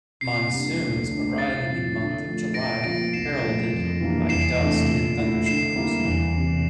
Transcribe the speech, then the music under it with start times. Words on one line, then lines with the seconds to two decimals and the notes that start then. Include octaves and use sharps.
Monsoons arrive in the month of July heralded by dust and thunderstorms.
0.21 C3 C7
0.50 G3 A#3 D4
0.80 D2
1.10 D3 A3 D4
1.38 C2 A6
1.67 A#2 F3 C4
1.97 D3
2.26 F3 A3
2.54 A#2 A#6 D7
2.84 F3 A#3 A#6 D7
3.13 C2 C7 E7
3.42 A#2 F3 A3
3.71 F2
4.01 E3 G3 A#3 D4
4.29 E2 C7 E7
4.58 C3 E3 A3 D4
4.88 A#2
5.17 A3 E4
5.46 D3 C7 E7
5.75 G3 A#3 E4 G4
6.04 E2
6.34 C3 E3